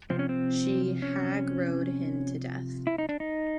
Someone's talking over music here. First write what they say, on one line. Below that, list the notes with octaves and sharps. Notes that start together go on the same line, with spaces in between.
She "hag-rode" him to death.
C3 F3 C4
C#4
C4
C#4
E4
D#4
D4
D#4